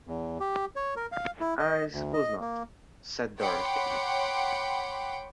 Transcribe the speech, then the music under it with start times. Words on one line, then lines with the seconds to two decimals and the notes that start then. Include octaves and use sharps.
"I suppose not," said Dorothy.
0.07 E2
0.40 G4
0.76 C#5
0.96 A#4
1.12 F5
1.40 E4
1.59 D#5
1.92 D2
2.13 D#5
2.41 A#3
3.39 C#5 F#5 G5 B5 C6 D6